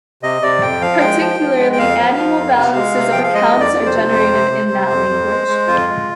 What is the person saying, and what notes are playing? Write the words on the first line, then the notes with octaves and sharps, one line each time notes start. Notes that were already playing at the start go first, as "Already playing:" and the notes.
Particularly annual balances of accounts are generated in that language.
C3 D#5
C3 D5
F2 G5
F3 F5
G#3 G5
F3
F3
G#3
G5
F2 F5
F3
F3
F2
C3
G#3
C3
F3 G5
F5
G#3 D#5
F2
D5
F2
C5
C3
F2
C3
C3
C3
F2
F2
G#3
G#3
F2 F4
G#3